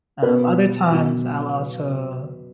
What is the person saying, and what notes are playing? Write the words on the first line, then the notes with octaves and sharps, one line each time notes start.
Um, other times I'll also,
B2 B3 B4
B2 F#3 B3